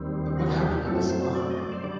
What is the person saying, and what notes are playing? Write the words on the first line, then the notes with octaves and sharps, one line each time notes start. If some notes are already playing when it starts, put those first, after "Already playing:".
But what happened in the salon?
Already playing: D#2 D#3 G3 C4
F#4
G4
F#2 F#3 A3 C4 A4
C5
D5
D#5
D5
C5
D3 G3 D5